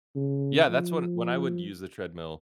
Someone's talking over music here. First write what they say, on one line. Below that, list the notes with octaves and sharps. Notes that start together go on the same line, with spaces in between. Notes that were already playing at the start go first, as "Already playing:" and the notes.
Yeah, that's what when I would use the treadmill,
C#3
F3